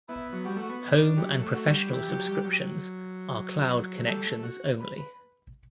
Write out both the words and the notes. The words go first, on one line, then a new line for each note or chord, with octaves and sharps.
Home and Professional subscriptions are cloud connections only.
B3 E4
F#3
G3 F#4
A3
B3
D4
F#3 G4
A3
F#4
G3
E3 G4
F#3
G3
F#3
A3
G3 A4
A3
F#4
B4